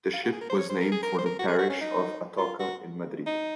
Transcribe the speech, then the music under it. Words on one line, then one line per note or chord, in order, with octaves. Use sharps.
The ship was named for the parish of Atocha in Madrid.
F5
F#4
G#4
A#4
C5
C#5
C5
A#4
G#4
A#4
C5
A#4
F#4
G#4
F#4
C#4
D#4
F4
F#4
D#4